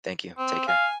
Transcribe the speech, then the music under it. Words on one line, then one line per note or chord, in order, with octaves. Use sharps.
Thank you. Take care.
C4
F5 G#5